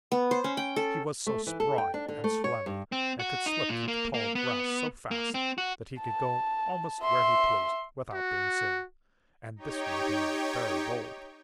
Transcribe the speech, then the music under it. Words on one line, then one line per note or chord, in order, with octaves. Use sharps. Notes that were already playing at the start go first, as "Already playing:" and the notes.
He was so spry and slim, and could slip through the tall grass so fast, that he could go almost where he pleased without being seen, and this made him very bold.
B3
C5
C#4
G5
A4
A3
E3
A4
G5
D4
D3
A3
C#5
G2
C4
F#4
D#4
A#2
A#3
A#3
B3
A#3
C4
F#4
A5
E5 C6
F#4
D#4 G4 C#5 G5